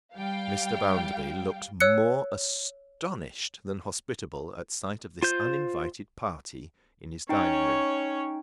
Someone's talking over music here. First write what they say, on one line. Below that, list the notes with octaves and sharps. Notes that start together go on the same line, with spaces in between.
Mr. Bounderby looked more astonished than hospitable, at sight of this uninvited party in his dining-room.
G3 F5 G5
C#5 E6 F#6 C#7
F4 C5 G6
C#4 D#4 C#5 G5